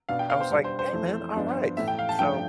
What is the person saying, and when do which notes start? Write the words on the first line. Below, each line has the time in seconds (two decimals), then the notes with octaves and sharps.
I was like, "Hey man, alright!" So
0.09 B2 B3 D4 F5
0.19 G5
0.30 F5
0.40 C5
0.50 B2 G3 D4
0.64 C5
0.79 C5
0.93 F2 E3 A3
1.35 G2 F3 B3 D4
1.77 A2 E3 A3 E5
1.88 G5
1.99 F5
2.09 A5
2.19 G2 F3 A3 D4 G5